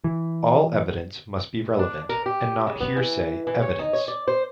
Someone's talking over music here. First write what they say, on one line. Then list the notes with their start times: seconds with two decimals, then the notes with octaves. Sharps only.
All evidence must be relevant and not hearsay evidence.
0.04 E3
1.79 D4
2.09 A#4
2.26 G4
2.67 C#3
2.80 B3
2.96 E3
3.47 E3
3.62 C#5
3.79 D#4
3.93 C#5
4.08 D5
4.28 C5